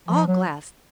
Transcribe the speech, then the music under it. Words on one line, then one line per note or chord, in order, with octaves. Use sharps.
"All glass."
F3
F#3